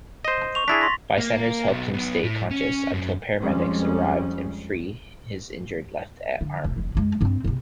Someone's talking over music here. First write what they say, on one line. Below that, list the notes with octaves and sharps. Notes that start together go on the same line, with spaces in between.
Bystanders helped him stay conscious until paramedics arrived and free his injured left arm.
C5 D#5
C#6 F7
D4 E4 G#4 A6 B6
C6 A#6
A#3
B1 B3
B1 B3
A2
C#4
F#2
F2 G3 G#3 C#4
D3
E1
F1 E3
F#2 G#3
G2 C4
E2 C3